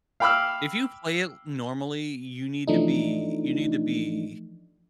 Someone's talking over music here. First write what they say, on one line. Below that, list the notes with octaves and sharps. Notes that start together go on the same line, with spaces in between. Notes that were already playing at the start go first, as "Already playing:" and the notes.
If you play it normally, you need to be you need to be
F5 G5 B5 D6 E6 F6
E3 F3 A3 D4 D#4